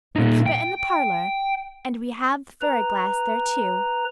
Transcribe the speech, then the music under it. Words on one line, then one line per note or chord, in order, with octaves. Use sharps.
We keep it in the parlor and we have the fairy glass there, too.
A#2 D#4
G5
B4 A#5